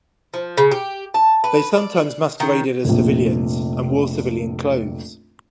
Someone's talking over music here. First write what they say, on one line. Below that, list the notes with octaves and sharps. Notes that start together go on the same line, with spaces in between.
They sometimes masqueraded as civilians and wore civilian clothes.
F3
C#3
G4
A5
B4
D5
D#3
F1 A#1